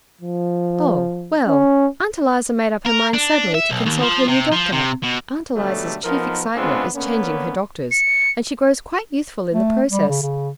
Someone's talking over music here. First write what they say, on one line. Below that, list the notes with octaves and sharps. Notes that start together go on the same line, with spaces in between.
'Oh well, Aunt Eliza made up her mind suddenly to consult her new doctor--Aunt Eliza's chief excitement is changing her doctors, and she grows quite youthful in the process.
F3
C#4
A#4
D4
E5
B1
D#2
F3
C3
F3
C3
B2
G#2 B2 D3 F#3 G3 A3
B1 F3 B3 D#4 A#4
C#3 G#3 B3 C4 D4 F4
D3 A#3 B3 C#4
C#7
A3
G3
C#3
C#3